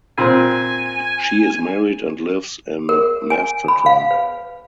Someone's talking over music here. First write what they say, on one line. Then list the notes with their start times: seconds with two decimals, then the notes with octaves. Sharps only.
She is married and lives in Masterton.
0.18 A#2 C4 G#5
2.89 A#4
3.30 G#5
3.68 B5
3.86 F5
4.11 B4